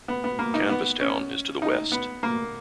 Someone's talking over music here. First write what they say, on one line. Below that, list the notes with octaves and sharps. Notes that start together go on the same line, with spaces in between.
Canvastown is to the west.
B3
B3
A#3
D#4
B3
C#4
D#4
B3
A#3